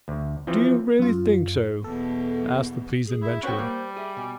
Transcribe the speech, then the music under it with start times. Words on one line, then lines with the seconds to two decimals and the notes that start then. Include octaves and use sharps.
"Do you really think so?" asked the pleased inventor.
0.08 D2
0.47 E3 F3 C4
0.99 F#2 F4
1.84 E2 B2 A4
3.07 G#4
3.22 E4
3.43 C#4 F#4 B4 C5 G5
3.58 G3 A#3
3.97 G#4 E5
4.17 B2 G#5